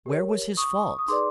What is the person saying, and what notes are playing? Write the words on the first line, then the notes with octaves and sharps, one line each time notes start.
Where was his fault?
G4 A#4 C#5
C#6 D#6
D#6
D#4 G#4 B4 D5 C6 D6